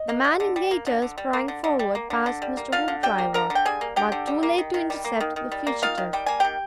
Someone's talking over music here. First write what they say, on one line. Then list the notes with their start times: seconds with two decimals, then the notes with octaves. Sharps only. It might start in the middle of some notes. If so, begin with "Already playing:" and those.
The man in gaiters sprang forward past Mr. Hoopdriver, but too late to intercept the fugitive.
Already playing: D#5
0.09 A#3
0.24 D3
0.40 D3
0.56 G3
0.71 A#3
0.87 D3
1.02 D3
1.18 G3
1.33 A#3
1.48 D3
1.64 D3
1.79 G3
1.95 A#3
2.10 D3
2.26 D3
2.42 G3
2.57 A#3
2.72 D3 F4 F5
2.88 D3
3.03 G3 G4 G5
3.18 A#3
3.34 D3 A#4 A#5
3.50 D3
3.55 G5
3.65 G3 G#4 G#5
3.81 A#3
3.96 D3 G4 G5
4.12 D3
4.27 G3
4.43 A#3
4.58 D#3
4.74 D#3
4.90 G3
5.05 A#3
5.20 D#3
5.36 D#3
5.52 G3
5.67 A#3
5.82 D#3 F4 F5
5.98 D#3
6.13 G3 G5
6.26 A#3 G#5
6.40 D#3 G4 G5